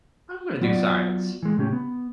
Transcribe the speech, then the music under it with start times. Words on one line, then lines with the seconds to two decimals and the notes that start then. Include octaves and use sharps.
"I'm gonna do science,"
0.61 F#3 B3 F4 F#4 C5 D5
1.43 E3 G#3
1.58 A2 C#3 C#4 G4
1.73 B3